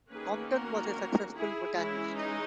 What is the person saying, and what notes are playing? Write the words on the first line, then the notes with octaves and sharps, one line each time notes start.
Compton was a successful botanist.
D#3 A#3 C#4 G#4 B4
F#4 A#4
E4 G#4
E3 G#3 C#4 E4
D#4